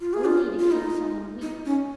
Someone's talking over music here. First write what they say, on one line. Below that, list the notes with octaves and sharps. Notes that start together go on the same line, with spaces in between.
Only the King saw him weep.
F4
G#4
F4
F4
D#4
D#4
C#4